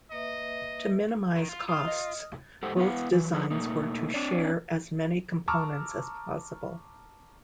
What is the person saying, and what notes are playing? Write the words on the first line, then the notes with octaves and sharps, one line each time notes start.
To minimise costs, both designs were to share as many components as possible.
A#3 B4 D#5 E5
D#3
F4
F4 D#6 F6
D#5
G#2 G4 A4 C5 F#5
B3 E4 B4 F5 F#5
E3 F#3
F3 D#4 G#4 B4
B2 A3 A#3 D#4
C4 D4 C#5 D5
A5 A#5 C#6 D6 E6 F6